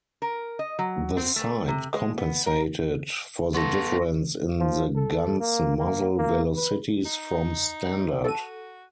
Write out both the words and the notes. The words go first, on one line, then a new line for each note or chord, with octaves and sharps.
The sight compensated for the difference in the gun's muzzle velocities from standard.
A#4
D#5
F#3
C4
A3
C3
G#3
B3
A#4
B3 A4 C6 C#6 A#6
F3
A4
A#3
A#3
A#3
B4
D#4
F#4 A4 D#7